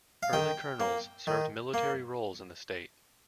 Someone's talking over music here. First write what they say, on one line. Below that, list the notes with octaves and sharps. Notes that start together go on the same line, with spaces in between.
Early colonels served military roles in the state.
F5
D#3 G5
A#3
D#3
A#3